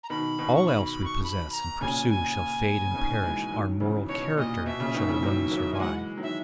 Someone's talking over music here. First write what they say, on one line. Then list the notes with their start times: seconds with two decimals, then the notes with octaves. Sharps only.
All else we possess and pursue shall fade and perish, our moral character shall alone survive.
0.04 A#5
0.10 B2 D#3 B5
0.38 B2 D#3
0.55 C#6
0.67 B5
0.85 B5
1.05 C#6
1.24 B5
1.52 A#5
1.81 A#2 C#3 G#5
2.09 G#5
2.90 C#3
2.95 B2 D#3
3.23 E3 G#3
3.52 D#3 F#3
3.80 C#3 E3
4.08 B2 C#5
4.37 A#2 D#5
4.66 B2 E5
4.80 A#2 C#3
4.94 B2 D#3
5.08 C#3 E3
5.23 D#3 F#3
5.51 F#3 A#3
5.74 G#5
5.79 E3 G#3 F#5
6.17 D#3 F#3
6.23 E5